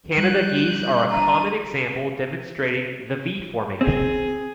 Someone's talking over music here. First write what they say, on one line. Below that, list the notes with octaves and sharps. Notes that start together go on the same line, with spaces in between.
Canada geese are a common example demonstrating the V formation.
G3 F#6 G6
D4 A#5 D#7
C4 G#4